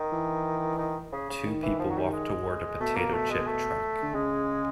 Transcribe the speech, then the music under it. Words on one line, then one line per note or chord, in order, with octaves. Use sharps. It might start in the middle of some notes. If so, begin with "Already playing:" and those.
Two people walk toward a potato chip truck.
Already playing: D#3
E3
D#3
C#3
C#3
D#3
E3
F3
F#3
G3
G#3
B2 A3
A#3
A3
G#3
A3
D3
C#3 G#3